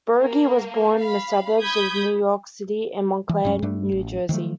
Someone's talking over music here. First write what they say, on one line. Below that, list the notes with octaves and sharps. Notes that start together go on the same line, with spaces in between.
Burgi was born in the suburbs of New York City in Montclair, New Jersey.
A#3
F5 B5
B5 D#6 G6 G#6
E3
D1 G#2 F#3 C#4
G2 G3 A3 D4
A1
D#3 F3 F#3 A3